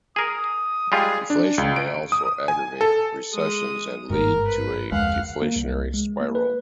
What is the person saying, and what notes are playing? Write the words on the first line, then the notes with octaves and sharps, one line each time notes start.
Deflation may also aggravate recessions and lead to a deflationary spiral.
G#4 A#4 D#6
G3 G#3 F4 G#4
D4
C#2
D7
D#6
G#5
A4
G#3 D#6
G1 G#2 A#4
B4
F1 D2 G#3 F5 F#5
A#3
C2
G#3
A#3
B4